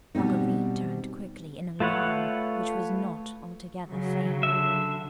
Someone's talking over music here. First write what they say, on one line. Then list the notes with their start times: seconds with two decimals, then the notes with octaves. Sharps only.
Marguerite turned quickly, in alarm, which was not altogether feigned.
0.15 B2 G3 C4 D#4
1.80 A3 F4 B4 C#5 F#5
3.88 C#3 F#3
4.43 D3 E5